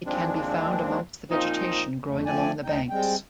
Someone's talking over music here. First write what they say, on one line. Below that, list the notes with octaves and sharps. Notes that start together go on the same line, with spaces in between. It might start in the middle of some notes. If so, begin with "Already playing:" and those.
It can be found amongst the vegetation growing along the banks.
D#2 F3 G#3 C4 D4
A#2 F3 C4 D#4
F2 A3
F3 A3 C4 D5 G#5
D2 D#4 G5
G3 G#3 C4 G5